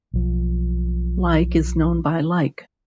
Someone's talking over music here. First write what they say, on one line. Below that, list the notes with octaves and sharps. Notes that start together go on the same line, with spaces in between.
Like is known by like.
B1 F3